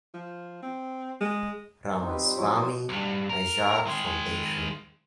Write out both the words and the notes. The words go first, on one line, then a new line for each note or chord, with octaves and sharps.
Ramaswami Aiyar Foundation.
F3
C4
G#3
C4 D#4
C4 F4 G4 B4
G3 C4
F3 F#3 E4
C5 D#5
B1 G2
A#4
D#3 G#3